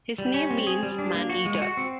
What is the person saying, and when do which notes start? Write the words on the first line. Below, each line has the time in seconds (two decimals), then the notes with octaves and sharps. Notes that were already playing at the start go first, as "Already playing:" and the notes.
His name means "man eater".
0.18 G3
0.34 C#4
0.51 C4
0.67 G#4
0.83 G3
0.99 D4
1.14 A#3
1.29 F#4
1.45 G#3
1.62 F#4
1.77 C4